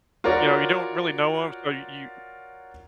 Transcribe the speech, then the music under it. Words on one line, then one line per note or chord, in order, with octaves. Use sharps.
you know, you don't really know him, so you you
F4 F#4 A#4 C#5 D5